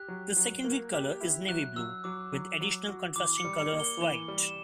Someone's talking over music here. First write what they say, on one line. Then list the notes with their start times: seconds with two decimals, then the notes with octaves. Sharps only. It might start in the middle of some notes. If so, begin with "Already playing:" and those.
The secondary colour is navy blue, with additional contrasting colour of white.
Already playing: G4 F#6
0.08 F#3
0.36 F#3
0.64 A#3
0.93 G4
1.21 E4
1.48 F#3 F#6
1.76 F#3 E6
2.04 F#3 D6
2.32 F#3
2.61 F#3
2.88 F#4
3.16 E3 D6
3.38 C#7
3.44 G3
3.58 C#7
3.72 A#3
3.80 G7
4.00 E3 G7
4.28 G3
4.43 E7